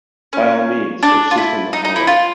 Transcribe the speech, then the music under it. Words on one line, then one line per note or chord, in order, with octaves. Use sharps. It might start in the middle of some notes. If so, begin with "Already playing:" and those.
By all means, it’s just in the hallway.
C#4
D4
F4
E4
D#4
D#4
E4
F4